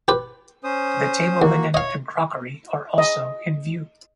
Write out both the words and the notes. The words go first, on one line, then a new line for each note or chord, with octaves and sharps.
The table linen and crockery are also in view.
G4 B4
C#4 C5 D#6
D#2 A#3 F#4
C#5 D#5 F5
D#5